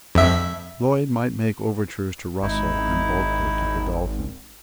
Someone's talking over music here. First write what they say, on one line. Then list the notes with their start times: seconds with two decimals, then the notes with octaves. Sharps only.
Lloyd might make overtures to Russell, and Bulkeley to Godolphin.
0.15 F2 E5
2.42 G#1 D#4 E4